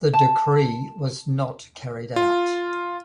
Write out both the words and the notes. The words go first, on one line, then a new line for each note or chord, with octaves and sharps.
The decree was not carried out.
A5
F4